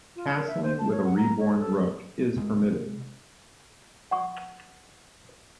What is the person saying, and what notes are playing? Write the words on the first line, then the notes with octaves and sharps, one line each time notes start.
Castling with a reborn rook is permitted.
F4
A#4
E5
C5
A5
C#5
F#5
A#5
C#5
A4
C3 G#3
F#5 C#6